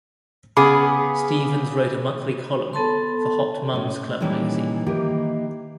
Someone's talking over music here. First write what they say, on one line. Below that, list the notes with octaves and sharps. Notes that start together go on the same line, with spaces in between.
Stevens wrote a monthly column for "Hot Mom's Club" magazine.
C#3 B3 G#4 B5 D6
B3 A4 A5 C6
A2 C#4
A#2 D#3 E3 G3 C#4 A4
D#3 E3 A#3 D#4 G4 A#4